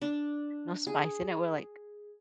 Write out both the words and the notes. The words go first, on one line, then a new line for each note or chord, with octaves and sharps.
no spice in it, we're like,
D4
G#4